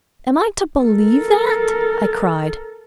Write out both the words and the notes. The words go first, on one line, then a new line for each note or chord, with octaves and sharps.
"Am I to believe that?" I cried.
A4 A#4